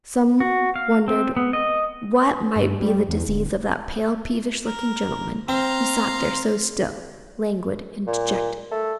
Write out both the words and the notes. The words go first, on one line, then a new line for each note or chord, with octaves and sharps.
Some wondered what might be the disease of that pale, peevish-looking gentleman, who sat there so still, languid, and dejected.
F#4
F5
C4
B3
D#5
G2
G3
E2
D1
A#4
C4 F5 A#5 C6
A#2
A3